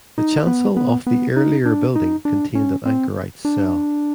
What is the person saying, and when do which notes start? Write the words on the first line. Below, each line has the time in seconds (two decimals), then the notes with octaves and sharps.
The chancel of the earlier building contained an anchorite's cell.
0.18 D#4
0.47 B3
0.77 B3
1.07 B3
1.36 D#4
1.65 D4
1.96 D#4
2.25 D4
2.55 C#4
2.86 C4
3.45 D4